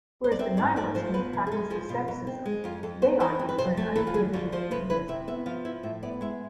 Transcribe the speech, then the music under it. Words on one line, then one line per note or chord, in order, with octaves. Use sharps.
Whereas the nihilist may have practiced asceticism, they argued for an uninhibited hedonism.
C5
D5
C4 E5
G#2 D5
A3 D5
F3 C5
B3 B4
C3
G#4
G#3 A4
F3 G#4
B2 F4
B2
C4
G#3
F2 F4
F2 A4
B3 C5
E3 C5
C4
B4
C3 C5
A3 A4
E3 A4
F4
D2 G#4
D2 F4
F3 C5
C3 B4
E4 B4
C3 E5
B3 E5
F3 F5
E4 E5
A2 E5
B3 D5
G#3 E5